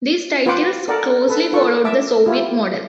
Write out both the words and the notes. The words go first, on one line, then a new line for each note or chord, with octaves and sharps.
These titles closely followed the Soviet model.
F4 B4 F#5 G5 C6 D6
A4 A#4 D5 F#5
A4 B4
F4 A4 B4 C#6
E5 A5 D6 E6
E4 F4 G4